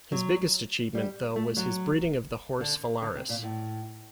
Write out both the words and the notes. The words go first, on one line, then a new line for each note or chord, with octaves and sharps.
His biggest achievement though was his breeding of the horse Phalaris.
F#3
G3
A3
F#3
D3
D3
C3
A#2
A2